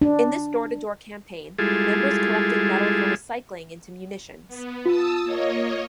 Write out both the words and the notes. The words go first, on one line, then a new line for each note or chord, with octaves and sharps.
In this door to door campaign, members collected metal for recycling into munitions.
D4
G3 G#3 E4 F4 G#4 A4
B3
F4 A5 D#6 E6
A#3 C#5 D#5